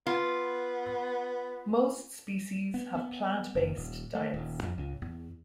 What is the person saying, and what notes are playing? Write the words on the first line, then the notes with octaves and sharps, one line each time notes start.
Most species have plant-based diets.
B3 F4
B3
B3
F#1
D#1
A3
D#1
F2
C#2
E2